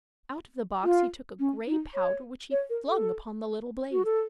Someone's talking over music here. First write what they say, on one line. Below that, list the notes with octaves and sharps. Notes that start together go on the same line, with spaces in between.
Out of the box he took a gray powder, which he flung upon the little blaze.
F4
C#4
D#4
C#5
C#5
A#4
A4
F#4
A4